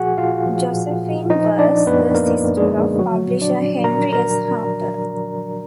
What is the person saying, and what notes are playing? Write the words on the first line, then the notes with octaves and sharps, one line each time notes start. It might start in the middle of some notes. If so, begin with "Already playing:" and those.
Josephine was the sister of publisher Henry S. Harper.
Already playing: A#2 F3 F#4 G#4 F#5 G#5
A#2 F4 F5
F3
A#2
A#2
F3 D#4 D#5
F3 D4 D5
F#2 B3 B4
F#2 A#3 A#4
F#2
G#3 G#4
D3
F3 F#3 F#4
A#2
D4 D5
A#2
A#2 A#4 A#5
A#2 A#4 A#5